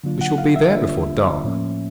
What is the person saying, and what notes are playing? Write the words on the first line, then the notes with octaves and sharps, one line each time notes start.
'We shall be there before dark.'
D3 F#3 A#3 D4 F4
F#5
F5
E5
D3 G3 A#3 D4 F4
A2 F3 A#3 C#4